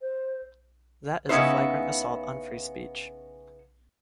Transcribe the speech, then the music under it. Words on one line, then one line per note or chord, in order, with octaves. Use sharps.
That is a flagrant assault on free speech.
C5
C#3 B3 C#4 D#4 E4 C5